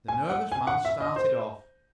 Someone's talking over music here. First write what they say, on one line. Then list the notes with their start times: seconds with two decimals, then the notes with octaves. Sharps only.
The nervous man started off.
0.08 G#5
0.29 F#5
0.52 G#5
0.67 F#5
0.85 E5
1.01 D#5
1.16 C5